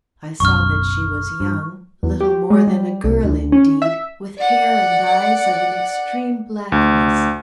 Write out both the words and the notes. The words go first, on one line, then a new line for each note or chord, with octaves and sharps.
I saw that she was young, little more than a girl indeed, with hair and eyes of an extreme blackness.
F#1 B1 F#2 C#6 F6
G2
E2
G4
G#3
G3
C2
D2
C#4
E5
D5 F#5
D2